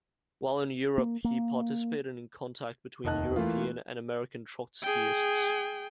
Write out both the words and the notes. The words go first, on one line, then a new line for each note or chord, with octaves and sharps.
While in Europe, he participated in contact between European and American Trotskyists.
A#3
A#3
F1 D#2 D#5 A5 F#6
E3 A3 A#3 F4
G#4 G5